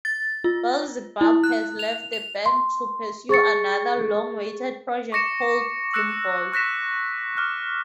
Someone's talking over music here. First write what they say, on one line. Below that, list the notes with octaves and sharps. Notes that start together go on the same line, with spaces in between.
Beelzebub has left the band to pursue another long-awaited project called Gloomball.
A6
F4
E4
F#6
F7
F7
C6
G#4 C#6 A6 C#7
C#6 D6 A#6 C#7 E7
E6 F#6 A#6 C#7 E7
C#6 F#6 A#6 B6 E7
D6 F6 F#6